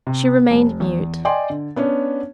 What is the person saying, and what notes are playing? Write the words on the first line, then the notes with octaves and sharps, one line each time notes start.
She remained mute.
C3
F1
E2
D5 D#5 G5 G#5 C6
D3
B3 C#4 D4 C#5